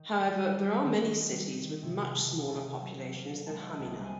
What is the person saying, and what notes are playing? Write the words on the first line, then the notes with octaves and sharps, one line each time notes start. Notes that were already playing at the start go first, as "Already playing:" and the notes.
However, there are many cities with much smaller populations than Hamina.
Already playing: D#3
G3
G3
D#3
G3
D#3
C3
F#1 A5
C3
F#3
A#3
G#3 A5
C2
G#5